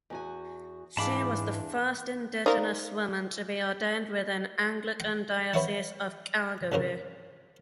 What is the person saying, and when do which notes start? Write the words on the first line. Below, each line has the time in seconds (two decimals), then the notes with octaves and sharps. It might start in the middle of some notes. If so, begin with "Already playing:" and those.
She was the first Indigenous woman to be ordained within Anglican Diocese of Calgary.
0.10 E2 F#4 G#5
0.97 E2 G#2 E3 D4 F5 A5 B5 D6
2.46 D#4 A#4 C5 D5 F5
5.00 G5
5.54 C4 B4 C#5 E5 F#5 A5
6.72 C2 F#2 C#3 C4 C#4 A#4